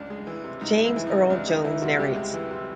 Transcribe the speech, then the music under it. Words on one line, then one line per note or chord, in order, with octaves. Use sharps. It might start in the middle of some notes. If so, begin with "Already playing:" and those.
James Earl Jones narrates.
Already playing: C#2 D4
G#3
E3
C3
C#2 D#4
G#3
E3 E4
E3
D#4
C3
C#2 D4
G#3 D#4
E3 E4
C3 F#3 F#4
C#2 G3 G4
G#3
E3
C3